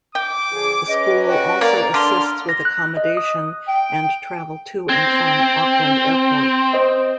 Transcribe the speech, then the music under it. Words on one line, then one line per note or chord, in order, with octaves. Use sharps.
The school also assists with accommodation and travel to and from Auckland Airport.
G5 D6
D3 F3 G#4
C#4 B4 D#5
F#4 G5
A#3 D5 A#5
D3 C6 F6
A#6
F#6
D#5
D#6
G5
C4 G#6 A#6
C5 D#5